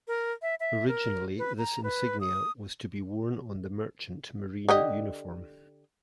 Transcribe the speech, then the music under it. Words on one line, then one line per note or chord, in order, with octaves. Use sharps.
Originally, this insignia was to be worn on the merchant marine uniform.
A#4
E5
E5
A#4
B4
A#5
B4
D#6
D3 G4 D#5